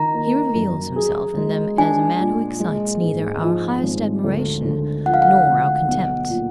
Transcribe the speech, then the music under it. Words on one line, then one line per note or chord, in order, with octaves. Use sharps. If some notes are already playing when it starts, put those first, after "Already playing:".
He reveals himself in them as a man who excites neither our highest admiration nor our contempt.
Already playing: D#3 A#5
A#3
F#2
G#4
G#3
D4 G#5
A#2
G#3
G#2
F3
G#1
D2
D3
F3 F#5
F5
F#5
D2
B1
A#2